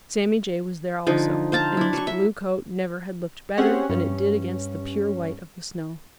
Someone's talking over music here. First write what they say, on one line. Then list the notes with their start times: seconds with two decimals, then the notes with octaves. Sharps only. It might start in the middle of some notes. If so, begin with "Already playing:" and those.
Sammy Jay was there also, and his blue coat never had looked better than it did against the pure white of the snow.
1.07 D3 F3 D#4
1.52 C5 F5 A5 A#5
1.77 D4 E4
1.93 F#3 C#6
2.07 E5
3.58 C4 C#4 G4 G#4 C#5 F#5
3.89 G2 C#4